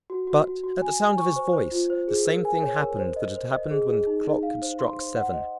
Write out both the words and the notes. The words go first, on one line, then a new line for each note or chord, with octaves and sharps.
But at the sound of his voice the same thing happened that had happened when the clock had struck seven.
F#4
F#4
F#4
F#4
G#5
G#5
C#6
C5
C5
F4
C5
G#4
A#4
G#5
C#5
A#4
C5
D#5
C5
D#5
G#4
G#4
D#4
D#4
F5
C5
C6
C5
F#5
D#5